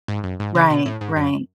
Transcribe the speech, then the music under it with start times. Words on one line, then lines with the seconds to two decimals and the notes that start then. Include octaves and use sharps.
Right, right.
0.08 G#2
0.24 F#2
0.40 G#2
0.55 C#3
0.70 B2
0.86 A2
1.01 G#2
1.16 F#2